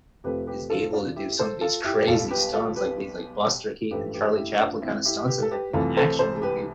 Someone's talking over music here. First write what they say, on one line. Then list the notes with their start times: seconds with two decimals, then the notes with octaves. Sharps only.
is able to do some of these crazy stunts, like, these, like, Buster Keaton and Charlie Chaplin kinda stunts in an action movie
0.24 F2 C3 F3 A3 G4 B4
0.47 G4 B4
0.70 F4 A4
0.93 D4 F4
1.16 E4 G4
1.39 A4 C5
1.61 F4 A4
1.84 E4 G4
1.99 G4
2.07 B1 B2 G3 F4 A4
2.31 G4 B4
2.53 F4 A4
2.76 G4 B4
3.91 A1 G2 F3 A3 G4 B4
4.13 G4 B4
4.36 E4 G4
4.59 D4 F4
4.82 C4 E4
5.05 E4 G4
5.27 G4 B4
5.42 A4
5.51 G4 B4
5.73 C2 C3 E3 A3 F4 A4
5.97 A4 C5
6.19 A4 C5
6.42 G4 B4